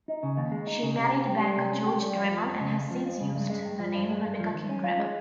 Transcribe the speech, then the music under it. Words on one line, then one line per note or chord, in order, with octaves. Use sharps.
She married banker George Dreman and has since used the name Rebecca King Dreman.
D#4
C#3
D#2
G#3
D#4
C#3
C3
C#4
G4
G3
C3
C#4
G4
G3
F2
F3
F2
C#3
F2
F3
F2
C#3
G2
G#3
G2
F3
G2
G#3
G2
F3
D#3
C#4
F4
G#3